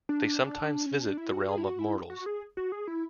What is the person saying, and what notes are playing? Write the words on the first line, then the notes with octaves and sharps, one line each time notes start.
They sometimes visit the realm of mortals.
D4
C#4
D4
E4
F#4
G#4
E4
F#4
E4
F#4
G#4
F#4
G#4
E4